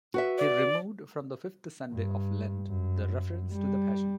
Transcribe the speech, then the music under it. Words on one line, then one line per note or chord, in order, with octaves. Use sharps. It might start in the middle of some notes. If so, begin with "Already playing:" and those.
He removed from the fifth Sunday of Lent the reference to the Passion.
F#4 B4 E5
D5
G2
F#2
G3